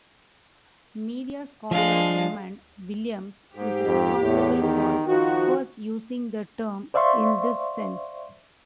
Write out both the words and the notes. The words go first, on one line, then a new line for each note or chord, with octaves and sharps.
Media scholar Raymond Williams is responsible for first using the term in this sense.
F3 G#3 D4 F5
G#2 G4
F2
E2 A2
D#3
D#3 F3 F#4
C5 D5 E5 F5 C6 C#6